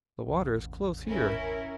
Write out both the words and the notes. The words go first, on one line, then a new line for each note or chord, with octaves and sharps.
The water is close here.
E1 A1
C#4 E4 A#4